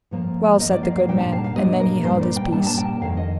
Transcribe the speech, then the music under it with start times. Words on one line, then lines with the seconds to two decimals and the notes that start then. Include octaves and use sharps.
Well, said the good man, and then he held his peace.
0.11 A2 F3 A#3
0.59 A2 F3 A#3 D#5
0.72 D5
0.83 F5
0.96 F5
1.08 A#2 G3 A#3 D4 G5
1.20 A5
1.32 F5
1.44 F5
1.56 A#2 G3 A#3 D4 D#5
1.80 A#4
2.04 A#2 G3 A#3 D4 C5
2.21 D5
2.36 G5
2.52 A#2 G3 A#3 D4 A5
2.67 A5
2.78 G5
3.01 F2 D#3 A#3 F5
3.17 D#5